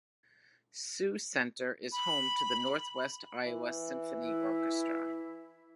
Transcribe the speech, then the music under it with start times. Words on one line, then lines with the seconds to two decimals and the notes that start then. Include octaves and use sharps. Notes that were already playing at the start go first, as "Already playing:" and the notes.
Sioux Center is home to the Northwest Iowa Symphony Orchestra.
1.92 B5
3.46 E3
4.23 E4